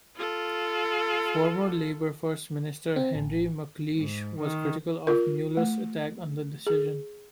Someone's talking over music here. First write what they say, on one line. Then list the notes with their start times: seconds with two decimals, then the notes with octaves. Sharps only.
Former Labour First Minister Henry McLeish was critical of Mueller's attack on the decision.
0.16 F4 A4
2.96 C4
3.15 A1
3.97 G#2
4.40 D#3
5.07 F4 A#4
5.57 A3
6.67 G#4